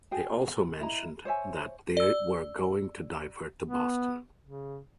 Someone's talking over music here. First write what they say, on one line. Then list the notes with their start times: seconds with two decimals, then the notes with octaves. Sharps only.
They also mentioned that they were going to divert to Boston.
0.11 F#4 G#4 G5
0.80 E4 D#5 A#5
1.25 C5 C#5 E5 G#5
1.97 D5 E6
3.66 B3
4.43 C#3